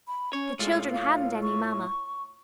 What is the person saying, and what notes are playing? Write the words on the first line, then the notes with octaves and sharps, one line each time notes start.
The children hadn't any Mamma.
B5
C#4 C#5
A2 G#3 F4
F5
C#6